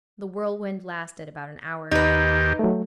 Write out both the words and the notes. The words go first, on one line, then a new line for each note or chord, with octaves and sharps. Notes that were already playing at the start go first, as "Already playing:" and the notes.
The whirlwind lasted about an hour.
D#2 D#4 G4 B4
F#3 A3